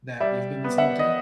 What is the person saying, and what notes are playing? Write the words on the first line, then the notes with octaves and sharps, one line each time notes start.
that you've been listening to?
G3 D5 E5
B3
E5 F#5
D#5